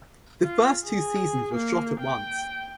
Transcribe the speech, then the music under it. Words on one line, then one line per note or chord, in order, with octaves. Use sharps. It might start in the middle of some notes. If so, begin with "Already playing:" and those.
The first two seasons were shot at once.
F4
G#4
A#3
G5